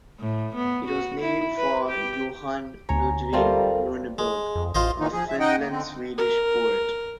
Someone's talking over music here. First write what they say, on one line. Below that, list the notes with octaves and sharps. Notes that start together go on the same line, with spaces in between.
It was named for Johan Ludvig Runeberg, a Finland-Swedish poet.
A2
B3
F#4
E4
B4
G4
D2 C#5 G#5 A#5
G3 A3 C4 F4 A4 A#4 F5
G#3
F2
A1 F4 C5 D#5
D#3 E3 A#3 D#4
F3 G#4
E5
D#4 D#5 F#5 G5
A#3
D3 C4
A#4